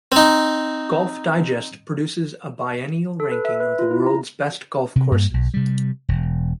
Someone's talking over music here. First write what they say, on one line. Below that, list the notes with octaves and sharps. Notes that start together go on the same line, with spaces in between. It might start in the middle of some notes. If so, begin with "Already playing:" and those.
"Golf Digest" produces a biennial ranking of the world's best golf courses.
C4 D#4
A4
B4
E5
B4
F4
E4
A#5
C3
G2 A#3
B1
C3 G3
E1